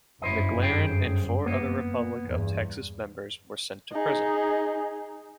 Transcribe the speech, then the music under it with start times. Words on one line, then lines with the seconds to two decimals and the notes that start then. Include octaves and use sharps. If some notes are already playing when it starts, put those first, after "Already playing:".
McLaren and four other Republic of Texas members were sent to prison.
0.22 G1 F#2 E4 C5 D#5
0.62 G#4 C5 G5
1.46 A#3 B3
2.25 E2 G2
3.92 D#4 G#4